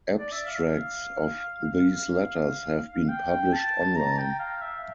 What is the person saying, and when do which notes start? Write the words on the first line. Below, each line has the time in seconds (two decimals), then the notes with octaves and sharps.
Abstracts of these letters have been published on line.
0.19 D5
0.32 E5
0.46 F5
3.08 G5
3.53 A5
3.96 A#5
4.18 G5
4.39 F5
4.62 E5